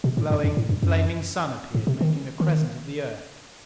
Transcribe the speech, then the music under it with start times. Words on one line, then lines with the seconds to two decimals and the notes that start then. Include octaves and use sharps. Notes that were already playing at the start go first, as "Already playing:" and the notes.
The glowing, flaming Sun appeared, making a crescent of the Earth.
0.04 B2
0.17 A2
0.30 G2
0.44 F#2
0.57 A2
0.69 G2
0.83 F#2
1.75 A2
1.87 C3
2.01 D#3
2.40 D#3